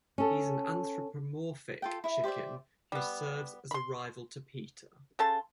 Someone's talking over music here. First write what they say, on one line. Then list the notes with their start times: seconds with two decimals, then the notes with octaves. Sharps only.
He is an anthropomorphic chicken who serves as a rival to Peter.
0.18 C#4 A4
1.82 F4 A4 G5
2.04 E4 E5
2.24 G4 C5 D5 E5
2.92 G3 B3
3.71 B5 C6
5.19 C#3 A4 A5 C6